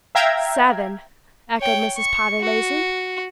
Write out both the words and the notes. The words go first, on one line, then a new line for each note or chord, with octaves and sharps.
"Seven!" echoed Mrs. Potter, lazily.
E5 F5 G5 A#5 G#6
C#5 G5
C#6
F#4